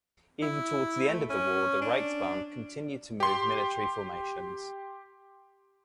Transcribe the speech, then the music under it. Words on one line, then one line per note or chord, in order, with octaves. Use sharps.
Even towards the end of the war the Reichsbahn continued to move military formations.
E4
A3
C#4
D4
G4 C6